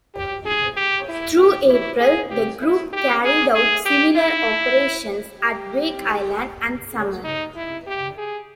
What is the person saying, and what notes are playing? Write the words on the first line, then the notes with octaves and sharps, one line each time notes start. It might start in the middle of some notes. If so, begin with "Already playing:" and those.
Through April the group carried out similar operations at Wake Island and Samar.
G4
G#4
G4
E4
G4
E4
G#4
G4
E4
G4
G#4
G#4
G4
E4
G4
D#4
E4
G4
G#4